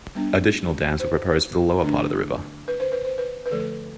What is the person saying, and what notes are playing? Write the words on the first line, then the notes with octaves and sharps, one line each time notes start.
Additional dams were proposed for the lower part of the river.
G3 B3 D4
C5
D3 A3 D4
B4
C5
B4
C5
B4
B4
D3 F3 A3 A4